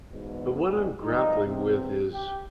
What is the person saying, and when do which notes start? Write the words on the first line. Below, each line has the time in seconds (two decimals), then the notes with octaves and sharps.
but what I'm grappling with is
0.12 E2 G#2 B2
0.66 C2 F2 G#2 B2 G3 G#4
1.03 G#1 F3 G3 D#4
1.45 E2 C3
2.12 G4